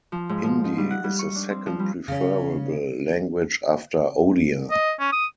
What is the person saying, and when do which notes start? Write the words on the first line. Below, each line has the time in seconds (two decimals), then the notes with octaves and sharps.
Hindi is the second preferable language after Odia.
0.12 F3
0.29 G#2
0.43 F3
0.65 D#4
0.78 G3
0.90 F#5
1.04 G3
1.19 C#6
1.35 D4
1.50 C4
1.66 F3
1.79 G3
2.08 C#3 C#4
4.71 D#5
5.00 C#4
5.12 D#6